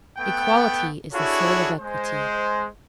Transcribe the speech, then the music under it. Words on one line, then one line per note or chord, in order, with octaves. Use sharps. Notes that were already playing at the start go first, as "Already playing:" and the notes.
Equality is the soul of equity.
A3 B3 F#5 G5
D4 E4 F#4 G#4 A4 C#5
G#3 C5